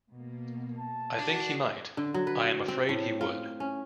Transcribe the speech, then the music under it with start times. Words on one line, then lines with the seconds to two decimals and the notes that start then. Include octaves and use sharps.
I think he might — I am afraid he would.
0.12 B2 A#3
0.79 A5
1.20 D4 F#4 D5
1.97 D3
2.14 F#3
2.27 B4
2.68 C4
2.89 A2
3.21 F4
3.60 C#4